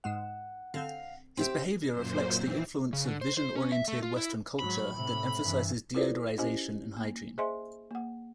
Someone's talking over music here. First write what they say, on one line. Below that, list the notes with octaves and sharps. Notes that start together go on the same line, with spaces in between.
His behavior reflects the influence of vision-oriented Western culture that emphasizes deodorization and hygiene.
G#2 G#3 F#5 E7
D3 C4 F5
C4 G4 E5 G5
F#2 A#2 C5
E3 C4
C#3
D3
C5
C5
C#4
E5
A3
F4
E4
G#2 F#3 B5
A2 C3
G2 E3
E4 F4 A4 B4 C5 D5
C#4 E4 G4 C5 D#5 G#5
A#3
G#4 C5 D#5 E5 G#5 C6
A#3 F#5